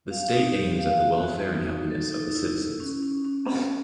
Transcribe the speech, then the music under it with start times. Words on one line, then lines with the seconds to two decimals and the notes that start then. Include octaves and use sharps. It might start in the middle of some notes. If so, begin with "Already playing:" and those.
The state aims at the welfare and happiness of the citizens.
0.10 F5
0.33 D#4
0.55 G4
0.78 F5
1.01 F#4
1.24 F#4
1.45 D#4
1.68 D#4
1.90 A4
2.13 D#4
2.35 E4
2.58 E4
2.80 C#4
3.02 C#4
3.25 C#4
3.47 C#4